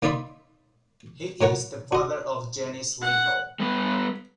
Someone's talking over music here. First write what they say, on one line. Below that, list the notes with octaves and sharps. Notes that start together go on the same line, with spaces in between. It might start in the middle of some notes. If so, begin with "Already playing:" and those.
He is the father of Janice Lincoln.
A#3 D#4 D5 E5 B5 C6
A2 A#4 C#5 F#5 A#5
F#4 D#5
F#5
G3 B3 B4